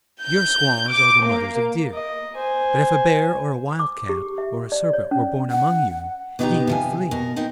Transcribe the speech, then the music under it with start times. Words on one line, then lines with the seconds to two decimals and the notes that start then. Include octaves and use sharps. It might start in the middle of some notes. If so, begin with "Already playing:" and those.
Your squaws are the mothers of deer; but if a bear, or a wildcat, or a serpent were born among you, ye would flee.
0.24 G6
0.91 D6
1.25 A#3
1.94 D#5
2.36 C5 G#5
3.79 D6
4.09 G4
4.38 E5
4.72 D5
4.93 C#5
5.11 C#4
5.51 F#5
6.39 B2 B3 D4 D#4 G4 A#5
6.67 C3 F3 G#5
7.11 B2 A#4
7.36 B3 C4 D#4 A#4